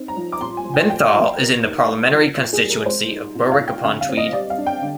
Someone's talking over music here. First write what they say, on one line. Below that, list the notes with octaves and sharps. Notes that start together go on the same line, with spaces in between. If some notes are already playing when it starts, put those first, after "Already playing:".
Benthall is in the parliamentary constituency of Berwick-upon-Tweed.
Already playing: C4 D#4
A#5
F3
D6
A#2 C6
G#5
F3
G5
F3 G5
F3
C3 A#4
D#4
G#3
F3
A#2
G#4
G3
A#4
G#3 C5
D#4
A#2
F5
A#2
G5
D3 F5
F5
C4
D#5
G3 D5
F5
D4
G5
D3